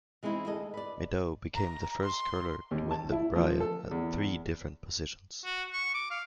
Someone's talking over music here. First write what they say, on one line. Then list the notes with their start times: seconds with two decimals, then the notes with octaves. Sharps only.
Middaugh became the first curler to win the Brier at three different positions.
0.23 E3 G#3 C4 D#4 E4
0.46 D2 G#4 A4 D#5
0.74 B4 D5
1.54 A#5
2.04 C6
2.71 D#2
2.91 A5
3.12 E4
3.35 F3
3.60 A4
3.91 E2
5.45 F#4
5.73 C#6
5.94 D6
6.11 F5